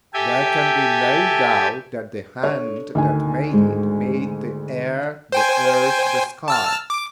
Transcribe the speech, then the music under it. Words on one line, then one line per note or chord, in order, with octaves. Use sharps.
There can be no doubt that the hand that made it, made the air, the earth, the sky.
G4 A4 E5 G5 G#5
D4 A4 C#5
D2 D#3 G#5
G#2 G#3
C5 G5 G#5
A5 E6 F6
D6